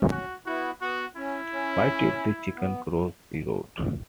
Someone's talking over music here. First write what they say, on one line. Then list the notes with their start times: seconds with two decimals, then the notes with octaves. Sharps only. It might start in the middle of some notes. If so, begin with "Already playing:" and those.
Why did the chicken cross the road?
Already playing: C#4
0.11 F#4
0.46 B3 E4 F#4
0.81 B3 F#4
1.17 C#4 E4
1.52 C#4
2.57 B3